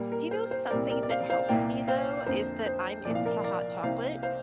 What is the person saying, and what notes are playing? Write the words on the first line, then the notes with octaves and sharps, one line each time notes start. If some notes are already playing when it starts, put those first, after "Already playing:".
Do you know something that helps me, though, is that I'm into hot chocolate,
Already playing: A#2 G3 A#3 A#4
A#4
C5
C5
C2 A#2 G3 C4 A#4 D5
A#4 D5
D5
C5 F5
C5 F5
C2 A#2 A#3 D5 G5
C5 F5
F2 D3 A#3 C5
C5
C2 A#2 F3 D5
F5
A#4 D5
A#4 D5
C2 C3 A#3 C5 F5
C5 F5